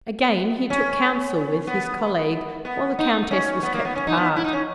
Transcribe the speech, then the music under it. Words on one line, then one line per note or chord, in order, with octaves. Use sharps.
Again he took counsel with his colleague, while the Countess was kept apart.
C#4
B3
B3
D#4
C#4
B3
A#3
B3
C#4
D#4
B3
E4
D#4
C#4